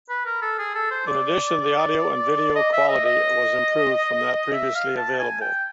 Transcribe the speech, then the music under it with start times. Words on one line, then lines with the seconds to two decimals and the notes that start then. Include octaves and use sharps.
In addition, the audio and video quality was improved from that previously available.
0.09 B4
0.25 A#4
0.42 A4
0.59 G#4
0.75 A4
0.91 C5
1.07 D5
2.55 D#5
2.73 E5
2.88 D#5
3.05 D#5
4.53 E5
4.75 F5
4.97 A5
5.19 G#5
5.41 G5